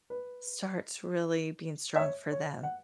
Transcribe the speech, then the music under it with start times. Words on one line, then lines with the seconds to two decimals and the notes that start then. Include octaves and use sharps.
starts really being strong for them.
0.10 B4
1.96 E5
2.00 C#5
2.32 C#5
2.63 F#5